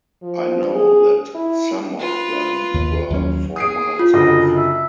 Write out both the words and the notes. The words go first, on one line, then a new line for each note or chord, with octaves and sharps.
I know that some of them were four miles off.
F3
G#4
E4
F4 B4
D#2
D#2 F#3 C#4
G#4 D#6 C7 D7
F4
F#1 D3 D#5
E5